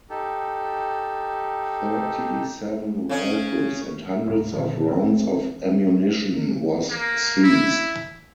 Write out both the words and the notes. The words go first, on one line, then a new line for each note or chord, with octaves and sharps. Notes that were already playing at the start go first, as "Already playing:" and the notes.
Thirty-seven rifles, and hundreds of rounds of ammunition was seized.
D#4 G4 A4
C#3 C#4
D1 C2 G#2 A#3
A#2 D3 D#3 F3
B1 E3 G#3 C4
A#3
E4